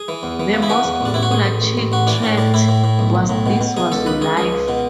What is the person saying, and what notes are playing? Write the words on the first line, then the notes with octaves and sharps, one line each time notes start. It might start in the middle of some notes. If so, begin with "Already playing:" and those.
The most popular Chick tract was "This Was Your Life!".
Already playing: G#4
E3
E2
E3
C#3
E4
E3 F#4
E2
A1 D4
A1 E4
F#4
A1 G#4
A1
A1
A1
A1 F#4
E3 D4
A2 C#4
A2 D4
A2 E4
A2
A2
B1
B1
A2
B2
B2
B2 G#4
C#2 A4
C#2 B4
C#2 G#4
C#2 G#4
C#2
B2